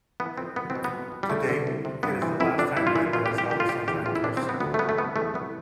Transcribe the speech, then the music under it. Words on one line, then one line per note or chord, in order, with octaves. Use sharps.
To date, it is the last time Labor has held a Sunshine Coast seat.
E3 B3
F2 C4
C2 B3
C4
B2
B3
B2
B2
G3
D3 A3
D3
C2
C3
G2 B3
E3 C4
F2 E4
F2 D4
G2 E4
F4
E3 E4
B2 F4
G4
C2
G4
D3 G4
F4
D3 G4
E2 G4
E2 F4
E4
C3 D4
C4
C3
B3
D2 B3
A3
D2 B3
A3
C3 B3
E2 A3
C2 B3